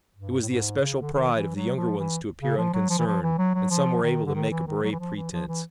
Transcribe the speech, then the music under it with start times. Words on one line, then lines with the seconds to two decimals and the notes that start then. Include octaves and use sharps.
It was the especial pride of the younger ones to appear unconcerned, and some were able to make a brave pretense.
0.16 G2
0.42 A2
0.48 G#2
0.81 C#3
1.01 D3
1.13 D#3
1.34 E3
1.56 F#3
1.77 F3
1.99 E3
2.42 C#3
2.58 F3
2.74 F#3
2.90 F3
2.98 E3
3.06 F3
3.22 E3
3.38 F#3
3.54 F#3
3.70 F3
4.03 D#3
4.26 D3
4.35 D#3
4.51 E3
4.67 D#3
4.83 F#3
4.92 E3
4.99 F3
5.16 E3
5.32 F3
5.48 E3